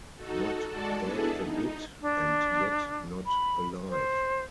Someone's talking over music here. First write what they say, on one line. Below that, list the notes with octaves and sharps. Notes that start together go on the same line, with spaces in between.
Not dead a bit, and yet not alive.
D#4 F#4 A4
G#3 F#4 A4 D5 A5
B3 D4 E4 G#4 A4
D#4
D4
B5
C5